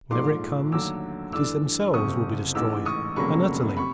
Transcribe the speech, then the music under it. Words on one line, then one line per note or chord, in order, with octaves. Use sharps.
Whenever it comes, it is themselves will be destroyed, and utterly.
A#1 G#2 F3 A3 C6 D6
D#2 D3 F#3 A3 D4 D6 E6
G2 E3 A3 D4 D6 E6
F#1 F2 C3 C#6 D#6
A1 G#2 E3 D6 E6
C#6 D#6
F1 F2 C#3 F#3 A#3 B5 C#6
C3 B5 C#6